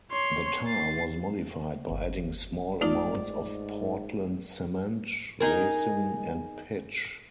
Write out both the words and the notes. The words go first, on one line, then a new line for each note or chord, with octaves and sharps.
The tar was modified by adding small amounts of Portland cement, resin, and pitch.
C#5 C6
A6 C7
G1
G#2 A3 D#4 F4 D5
D#4 G#4 A#4